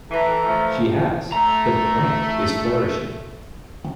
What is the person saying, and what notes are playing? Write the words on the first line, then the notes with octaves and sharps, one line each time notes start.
She has: The brand is flourishing.
E3 A4 A#5
E3 F3 A3
A3 A#5